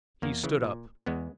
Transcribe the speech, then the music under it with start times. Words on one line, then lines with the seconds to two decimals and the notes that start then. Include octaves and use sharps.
He stood up.
0.22 E2 A#3
0.44 C#3 E3
0.64 A#2
1.06 E2 G#3 B3